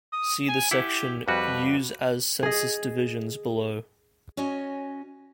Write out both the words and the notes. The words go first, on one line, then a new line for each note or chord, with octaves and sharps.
See the section "Use as census divisions" below.
D#6
G#5
E4 G4 F#5
F2 G3 F#4 B4
G#4 D#5
C#4 F#4 C#5 D#5 G#5